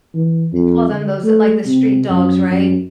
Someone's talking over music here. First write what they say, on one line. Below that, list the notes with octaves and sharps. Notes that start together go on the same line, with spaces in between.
I call them those, eh, like, the street dogs, right?
E3
F2
D3
A3
C3
F#2
F#2